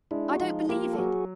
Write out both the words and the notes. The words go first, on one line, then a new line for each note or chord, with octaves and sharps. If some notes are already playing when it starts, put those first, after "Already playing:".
I don't believe it!
G#3 D4 E4
F#4
F3 D#4 F4
A#3 F4 G4
A4
F#3 F#4 G#4